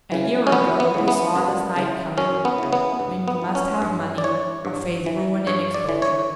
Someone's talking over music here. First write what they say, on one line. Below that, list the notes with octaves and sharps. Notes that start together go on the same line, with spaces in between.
A year ago you saw this night coming--when you must have money, or face ruin and exposure.
C#3 E3
C#4
F#2 B3
B3
C#3 E3
B3
F#2
C#3 E3
F#2 C#4
B3
C#3 E3
B3
G2
B3
E3
C#4
G2
D5
E3 C#5
G2
E3
G2 C#5
D5
E3
C#5